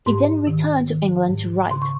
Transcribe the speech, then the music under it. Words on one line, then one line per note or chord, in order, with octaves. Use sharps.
He then returned to England to write.
G#2 C6
D#3
D#3
G#2
C#3 C6
C#6